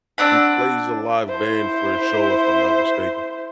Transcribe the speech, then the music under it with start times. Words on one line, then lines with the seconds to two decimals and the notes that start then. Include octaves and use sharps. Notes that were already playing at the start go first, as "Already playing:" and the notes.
He plays a live band for a show, if I'm not mistaken.
0.18 C4 D4 F#5 B5
1.25 E4 C5